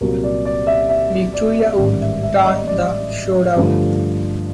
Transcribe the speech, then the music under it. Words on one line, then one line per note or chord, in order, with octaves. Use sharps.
Victoria Wood turned the show down.
C2 A#2 F#3 A#3 A#4
D5
D5
E5
E5
D5
A1 G#2 D#3 G3 D5
E5
E5
D5
D#5
D5
G2 D3 F3 A3